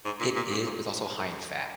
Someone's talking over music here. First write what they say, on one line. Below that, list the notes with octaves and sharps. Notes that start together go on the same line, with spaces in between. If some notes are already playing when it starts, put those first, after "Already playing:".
It is, but it’s also high in fat.
G#2
A#2
A#2
G2
G#2